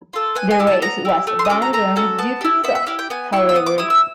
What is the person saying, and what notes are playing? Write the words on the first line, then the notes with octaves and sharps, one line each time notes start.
The race was abandoned due to fog, however.
F4 A4
B3 G#5
G#5
E4 G4
A5
B3 A#5
E4 G4
A3
C6
D#6
C#4 F#4 A4 D6
A#5
A3 A#5
C#4 F#4 A4
B3 A5
E4 G4
B3 E5
E5
E4 G4 F5
G5
B3 G#5
E4 G4 C#6
E6
B3 D#6
D6
E4 G4 D#6
E6